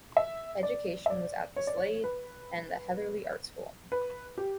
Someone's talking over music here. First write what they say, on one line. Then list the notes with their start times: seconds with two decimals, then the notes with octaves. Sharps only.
Education was at the Slade and the Heatherley Art School.
0.17 E5
0.63 D5
1.06 E5
1.10 D5
1.56 C#5
1.67 D5
1.77 C#5
2.04 B4
3.92 B4
4.38 G4